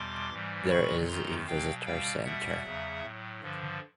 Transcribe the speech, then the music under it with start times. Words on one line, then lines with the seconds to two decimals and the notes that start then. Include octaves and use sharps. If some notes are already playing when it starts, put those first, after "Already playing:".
There is a Visitor Center.
Already playing: E2 B2 G3 C6 D6
0.31 G#2 E3 G3
0.69 A#2 F#3 B5 C#6
1.08 F#2 D#3 F#3 A#5 C6
1.47 B2 F#3 F5 G5
1.85 B2 G3 F5 G5
2.24 B2 G3 E5 F#5
2.63 E2 C#3 F#3
3.02 A2 F#3
3.41 G2 D3 F3